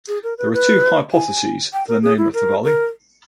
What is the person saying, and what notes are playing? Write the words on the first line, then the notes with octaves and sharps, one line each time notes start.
There are two hypotheses for the name of the valley.
G#4
A#4
B4
B4
G#5
G5
A#4
G#4
E4
A#4
A#4